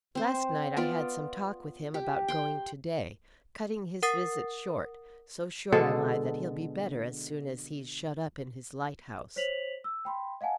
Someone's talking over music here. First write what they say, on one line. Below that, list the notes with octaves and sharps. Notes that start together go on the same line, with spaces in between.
Last night I had some talk with him about going to-day, cutting his visit short; so sure am I that he'll be better as soon as he's shut up in his lighthouse.
C4 C5
B3 F4 D5
G4
G5 C6
A#4 F#5 D#6 A6 C7
B2 D3 G#3 A4
C5 C#5 B6 F7 F#7
E6
G5 B5 C6
D#5 F5 F#5 G#5 A5